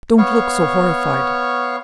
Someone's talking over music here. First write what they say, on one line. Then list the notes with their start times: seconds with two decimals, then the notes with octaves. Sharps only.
Don't look so horrified.
0.18 B3 C#5 F5 C#6